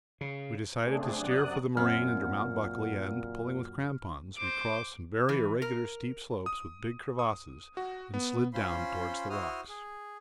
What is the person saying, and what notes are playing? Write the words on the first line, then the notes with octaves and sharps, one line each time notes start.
We decided to steer for the moraine under Mt. Buckley and, pulling with crampons, we crossed some very irregular steep slopes with big crevasses and slid down towards the rocks.
C#3
C#3 A3 C4 D4 G#4
F#2 C3 F#3 D5 D#6 F#6
F#2 A#2 C4 F#5 F6
C5 D6
E3
A#4
D#6
D#6
F#4
B3
C#4 F4 C5 B5 C6
E4 F#4 C5 D#6 F6
G#4